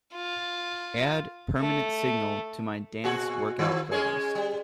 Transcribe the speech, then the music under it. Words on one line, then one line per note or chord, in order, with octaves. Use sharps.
Add Permanent Signal to my dance workout playlist.
F4
A3
A#2 F#4 G#4
D#3 F3
G#3 C#4 G#4
G3